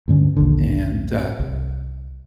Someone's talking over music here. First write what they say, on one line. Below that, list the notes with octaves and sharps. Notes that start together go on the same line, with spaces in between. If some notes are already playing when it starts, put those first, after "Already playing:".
and, uh,
D2 G2 D3 C#4
A#1 D#2 D3
C2